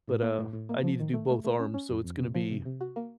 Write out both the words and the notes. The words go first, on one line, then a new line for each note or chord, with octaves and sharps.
But, uh, I need to do both arms, so it's gonna be
A2
A#3
A2
A2
A#3
F3
D#3
A3
A3
A3
C#4
C#4
F2
F2
C3
F3
C3
C3
F#4
A#3